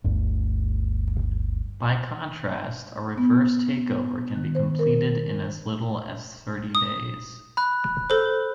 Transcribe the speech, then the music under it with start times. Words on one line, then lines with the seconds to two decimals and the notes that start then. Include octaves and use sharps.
By contrast, a reverse takeover can be completed in as little as thirty days.
0.04 G1 D2 G2
3.18 B3
4.36 D#3
4.55 C5
4.79 A#4
6.75 D#6
7.57 B5 F#6
8.10 A4 C5